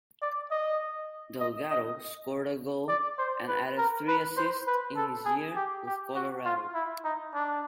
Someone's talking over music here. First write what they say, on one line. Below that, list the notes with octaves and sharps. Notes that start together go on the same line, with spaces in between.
Delgado scored a goal and added three assists in his year with Colorado.
D5
D#5
D#5
D#5
D5
C5
B4
A#4
B4
C5
B4
A4
G#4
G4
G4
F#4
F4
E4
D#4
D4